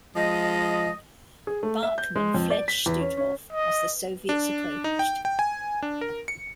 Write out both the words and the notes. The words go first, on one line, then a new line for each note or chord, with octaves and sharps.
Barkmann fled Stutthof as the Soviets approached.
F3 G#3 D#5
G#4
A3
E5
G6
G#3
F2
D5
B6
E2
C#4
C#4
D#5
D4
D#4
G5
G5
G#5
D4
A#4
C#7